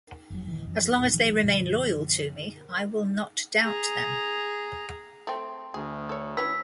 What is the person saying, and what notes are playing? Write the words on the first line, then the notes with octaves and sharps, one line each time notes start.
As long as they remain loyal to me, I will not doubt them.
F#1 F2 F#3
D#1 D#2 E3
F#2 F3
E1 A#2
A1 E3 F#3
F#2 B2 D3 F3
G#4 A#5
A3 C4
D2 G#4
A4 C#5
E3 C#4 B4 E6 B6